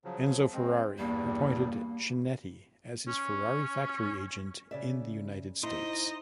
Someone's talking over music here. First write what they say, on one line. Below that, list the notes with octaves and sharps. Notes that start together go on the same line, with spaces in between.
Enzo Ferrari appointed Chinetti as his Ferrari factory agent in the United States.
C#3 F3 F#3
G#3 C4
E2 G2 G3 A#3
C#4
C#3 D5 E5
D#4 E4 C5 D#5 C6